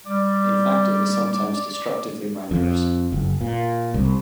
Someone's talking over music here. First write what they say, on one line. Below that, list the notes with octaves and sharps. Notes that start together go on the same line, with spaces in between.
In fact it was sometimes destructively rancorous.
G3 D5
F2
F#1
A#2
C2